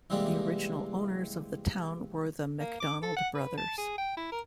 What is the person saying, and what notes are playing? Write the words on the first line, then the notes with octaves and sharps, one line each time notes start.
The original owners of the town were the Mcdonald brothers.
C3 E3 G3 G#3 A#3
A#3
D6
A4
F#5
B4
A5
G#4
G5
E4
A#4